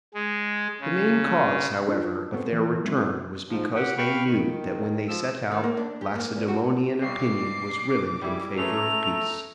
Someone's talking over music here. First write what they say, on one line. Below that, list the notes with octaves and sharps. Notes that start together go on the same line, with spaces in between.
The main cause however of their return was because they knew that when they set out Lacedaemonian opinion was really in favour of peace.
G#3
C#3
D4 F4
B3 C4 F#4 A4 B4 C5
E3 A4
F#3 G#3 C4 E4
G#2 F3
G4 F#5 G5
F5 G5 B5 C#6
D#3
F3 E6
D#3
A#3
D4
G4
A#3
E2
F#4
B1 G3 C#6 D6 C7
G3 G#3 E4
A3 C#4 G#4 B4 A#5 F7